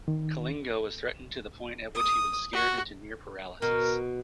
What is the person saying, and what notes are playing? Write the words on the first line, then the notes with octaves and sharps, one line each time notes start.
Kalingo was threatened to the point at which he was scared into near-paralysis.
D#3
D#6
F#4
B2 A#4